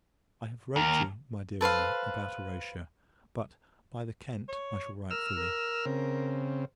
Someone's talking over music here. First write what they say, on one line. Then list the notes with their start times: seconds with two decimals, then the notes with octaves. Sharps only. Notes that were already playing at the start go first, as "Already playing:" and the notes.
I have wrote you, my dear Emma, about Horatia; but, by the Kent, I shall write fully.
0.76 D#2 A#4
1.61 A4 B4 C5 F5
4.48 C#5
5.11 A#4 E6 F6
5.36 A#4
5.85 C#3 C4